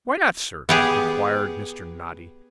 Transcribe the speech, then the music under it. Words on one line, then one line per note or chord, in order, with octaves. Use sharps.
'Why not, Sir?' inquired Mr. Noddy.
B3 G4 G#4